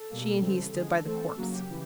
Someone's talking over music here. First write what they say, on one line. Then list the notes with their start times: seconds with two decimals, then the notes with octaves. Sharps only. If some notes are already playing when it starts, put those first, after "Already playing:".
She and he stood by the corpse.
Already playing: A4
0.10 B2 G3 A#3
0.40 C#3 E3 G3 C4
0.73 D3 F3 G#3 G#4
0.88 A4
1.05 E3 A3 C4 A4
1.37 C#3 F#3 A#3 F#4
1.52 G4
1.69 C#3 E3